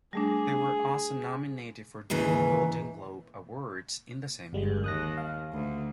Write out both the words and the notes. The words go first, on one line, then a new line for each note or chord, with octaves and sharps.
They were also nominated for dual Golden Globe Awards in the same year.
G3 A3 D4 G#4
D#2 G#2 C#3 E3
G1 G3 G#3
D#2 D#6 F#6 A#6
F5
D2